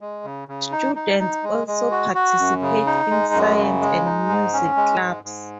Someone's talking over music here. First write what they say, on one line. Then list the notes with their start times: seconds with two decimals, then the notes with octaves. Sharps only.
Students also participate in science and music clubs.
0.01 G#3
0.24 C#3
0.48 C#3
0.72 D#4
0.96 D#4
1.20 D#4
1.43 G#3
1.67 G#3
1.91 F#4
2.15 F#4
2.39 F#2
2.62 C#3
2.86 D#4
3.11 G#3
3.34 F#2
3.58 C#3
3.81 G#3
4.05 D#4
4.29 G#2
4.53 C#4
4.77 G#3
5.01 G#2
5.25 G#2